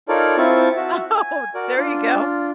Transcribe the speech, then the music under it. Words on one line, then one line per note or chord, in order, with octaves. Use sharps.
Oh, there you go.
D#4 F4 A4 A#4 C#5 D5
C4 E4 F4 A5 C#6
F#4 E5
G#5
F#4 A#4 D5
D4 F4